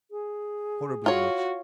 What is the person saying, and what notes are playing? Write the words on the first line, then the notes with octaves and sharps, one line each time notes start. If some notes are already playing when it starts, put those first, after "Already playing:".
Horribly much.
G#4
F4 F#4 C#5